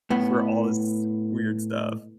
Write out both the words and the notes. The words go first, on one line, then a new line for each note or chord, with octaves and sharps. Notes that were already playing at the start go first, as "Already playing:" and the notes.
for all this weird stuff.
A2 B3